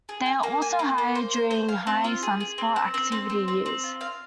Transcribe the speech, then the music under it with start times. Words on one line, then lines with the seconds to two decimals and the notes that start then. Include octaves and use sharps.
They are also higher during high sunspot activity years.
0.09 G#4
0.26 G#5
0.43 A#3
0.62 G#5
0.79 A#3
0.98 A#3
1.15 C5
1.34 C5
1.51 C5
1.69 F5
1.87 C4
2.04 F4
2.23 G#4
2.40 G#4
2.58 C4
2.76 C4
2.94 C4
3.12 C4
3.30 C4
3.48 C4
3.66 C4
3.84 F4
4.01 F5